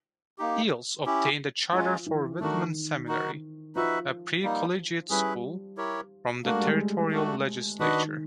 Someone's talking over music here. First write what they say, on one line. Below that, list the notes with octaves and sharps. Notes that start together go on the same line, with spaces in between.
Eells obtained a charter for Whitman Seminary, a pre-collegiate school, from the territorial legislature.
A#3 D#4 G4
C#4 E4 G4
F3 G#3 C#4 F4
E3
D#3 A3 D4 F#4 A#4
D#4 F#4 A#4
F3 D#4 F#4 B4 E5
G3 A#3 D#4
G3 C#4 E4 G#4 B4
E4 G4 A#4 C#5
A3 A#3 D4 F#4 A#4
G#3
G3
G#3
A3 D4 F#4
D#3 D4 F#4 B4 D#5